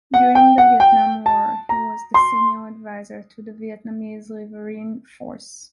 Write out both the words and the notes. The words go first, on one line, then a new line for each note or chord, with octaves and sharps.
During the Vietnam War he was the senior adviser to the Vietnamese Riverine Force.
F#5
G5
F#5
G5
A5
A#5
C6